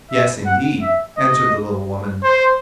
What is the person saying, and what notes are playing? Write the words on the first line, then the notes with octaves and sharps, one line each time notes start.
"Yes, indeed," answered the little woman.
E5
F#5
E5
D#5
C5